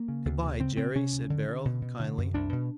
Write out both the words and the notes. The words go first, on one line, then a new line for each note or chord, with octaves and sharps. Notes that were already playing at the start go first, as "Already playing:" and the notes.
"Good-bye, Jerry," said Beryl, kindly.
Already playing: A#3
C#3
D2
C3
C#3 C4
C#3 C4
C3 C#4
D2
D3
D3
B2
B2
D3
F#2
C2 D4
B2